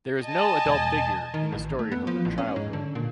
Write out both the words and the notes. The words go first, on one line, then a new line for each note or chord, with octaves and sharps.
There is no adult figure in the story of her childhood.
D#5 G#5 A5
E1
D#3
A1
A3
B3
F3
A1
C#4
G#2
D3
A#2